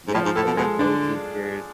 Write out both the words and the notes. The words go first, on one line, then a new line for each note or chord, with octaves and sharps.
Yep, 'cause they're co-teachers
G#2
A2 F3
G#2
A2 A4
B2
B2 G#3
D3 D4